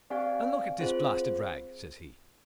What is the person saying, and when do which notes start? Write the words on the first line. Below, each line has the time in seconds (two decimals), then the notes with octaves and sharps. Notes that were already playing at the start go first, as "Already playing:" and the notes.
And look at this blasted rag, says he.
0.10 C4 G4 D5 F5 G#5
0.79 C4 F4 G#4 C5